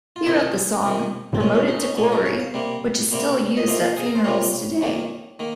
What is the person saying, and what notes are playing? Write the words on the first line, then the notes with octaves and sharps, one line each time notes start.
He wrote the song "Promoted to Glory" which is still used at funerals today.
F4
F2 C3 D#3 D#4
F2 C3 D#3
C4
A#2 G#3 C#4
C#4
D#4
C#4
A#2 G#3 C#4
A#4
C#5
F5
C3 G3 A#3
C3 G3 A#3
D#5
F2 C3 F3 A#3 F5
G#4
A#4
C5
F2 C3 F3 A#3 C#5
F2 D#3 A#3
D#3 A#3